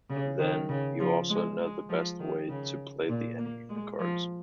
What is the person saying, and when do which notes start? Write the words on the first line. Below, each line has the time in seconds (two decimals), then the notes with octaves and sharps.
Then you also know the best way to play the endgame cards.
0.10 C#3
0.39 D#3
0.69 C#3
1.00 F3
1.29 G#3
1.60 G#3
1.89 F3
2.20 D#3
2.49 C#3
3.09 A#2
3.39 A#3
3.69 G#3
3.99 F3